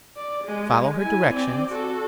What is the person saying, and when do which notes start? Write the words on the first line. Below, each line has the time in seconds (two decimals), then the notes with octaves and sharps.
Follow her directions.
0.16 D5
0.45 G#3
0.99 E4 G#5
1.29 C4 D5
1.70 F#4 A4